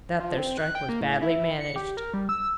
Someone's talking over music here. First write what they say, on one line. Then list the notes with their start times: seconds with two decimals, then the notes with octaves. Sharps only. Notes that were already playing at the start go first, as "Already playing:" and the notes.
'That there strike was badly managed.
0.20 F3
0.38 C4
0.58 F#6
0.75 G5
0.89 A#3
1.01 A2
1.22 E4
1.60 C#7
1.76 G4
1.97 A#4
2.14 G3
2.29 E6